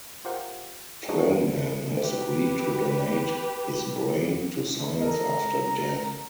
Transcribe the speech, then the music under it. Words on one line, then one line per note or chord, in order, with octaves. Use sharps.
Twellman has agreed to donate his brain to science after death.
F4 G4 A#4 C5 F5 F#5
F3 G#3 D4 D#4 F#4 G#4
G4 B4
A4 A#4 D#5 A#5